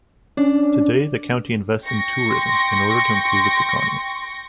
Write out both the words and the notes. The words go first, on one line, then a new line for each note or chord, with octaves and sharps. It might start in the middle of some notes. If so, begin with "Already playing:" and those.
Today the county invests in tourism in order to improve its economy.
C#4 D4
G5 C#6 A#6
C6